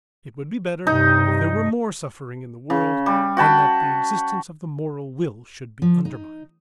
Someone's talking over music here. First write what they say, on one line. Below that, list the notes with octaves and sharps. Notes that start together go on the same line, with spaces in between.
It would be better if there were more suffering in the world than that the existence of the moral will should be undermined.
G2 C3 D#4
C#3
G3
F#4 G5 A5 B5
F3
D#4